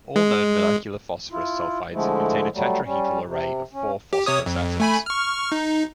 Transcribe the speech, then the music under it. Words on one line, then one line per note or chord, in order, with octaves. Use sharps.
All known molecular phosphorus sulfides contain a tetrahedral array of four phosphorus atoms.
G#3
E4 F4
D3 F3 G#3 A3 E4
F#3 G3 A3
G3 C#4
C3
C#4
G4
C3 C#5 D#6
F2
A3 G#5 B5
C#6 F6
D#4